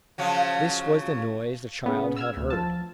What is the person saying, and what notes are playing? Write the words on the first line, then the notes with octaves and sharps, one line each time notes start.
This was the noise the child had heard.
C#3 F3 F#3
C#3 B3
E6 F6 G#6
D2
F3 A5